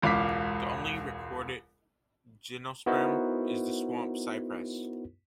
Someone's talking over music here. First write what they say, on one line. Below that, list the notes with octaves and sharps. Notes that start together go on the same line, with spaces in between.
The only recorded gymnosperm is the swamp cypress.
E1 C#2 F5 D6 B6
B3 D#4 E4 F#4 A#4 C5